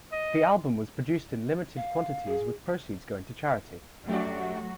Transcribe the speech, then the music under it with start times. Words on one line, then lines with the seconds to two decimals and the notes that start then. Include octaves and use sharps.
The album was produced in limited quantities with proceeds going to charity.
0.12 D#5
1.76 F5
2.27 G#4
4.08 F2 F#3 A3 F#4 G4 D5